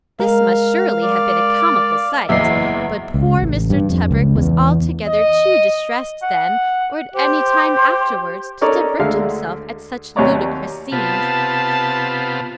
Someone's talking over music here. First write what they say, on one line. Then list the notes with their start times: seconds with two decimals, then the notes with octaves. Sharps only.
This must surely have been a comical sight, but poor Mr. Tebrick was altogether too distressed then or at any time afterwards to divert himself at such ludicrous scenes.
0.20 G#3 A#4 F5
1.03 D5
2.29 F#1 E2 E4 D#5 E5 C7
3.14 C#2
3.42 A1
3.70 G2
3.90 F2
4.11 C#2
4.36 E2
5.08 D#5
6.22 F#5
7.14 G4 C5
8.61 C#4 D#4 A4 A#4 C#5 D5
8.99 D2 D3 G#3 E5 F5
10.16 D#2 C3 F#3 C#5 D5 A#5
10.92 C3 B3 F4 A5